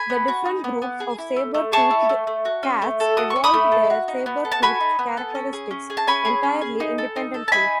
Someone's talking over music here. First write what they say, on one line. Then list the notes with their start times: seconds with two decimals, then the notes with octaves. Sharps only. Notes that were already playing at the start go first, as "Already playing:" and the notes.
The different groups of saber-toothed cats evolved their saber-toothed characteristics entirely independently.
Already playing: G#5 B5
0.10 B3
0.28 F#4
0.46 D#4
0.64 B3
0.82 B3
1.00 G#4
1.18 E4
1.36 A3
1.54 A3
1.72 G#4 A5 C#6
1.91 E4
2.09 A3
2.27 A3
2.45 F#4
2.63 C#4
2.82 A3
3.00 A4
3.17 F#4 D#6
3.30 C#6
3.36 C#4
3.44 B5 D#6
3.54 A3
3.72 A4
3.90 F#4
4.08 D#4
4.26 B3
4.45 A4
4.52 A5
4.62 F#4 G#5 B5
4.80 D#4
4.99 B3
5.17 A4
5.35 C#4
5.53 G#4
5.71 C#4
5.90 G#4
5.97 A5
6.07 C#4 G#5 B5
6.25 G#4
6.43 C#4
6.61 G#4
6.80 D#4
6.98 A4
7.16 D#4
7.34 A4
7.48 A5
7.52 D#4 G#5 B5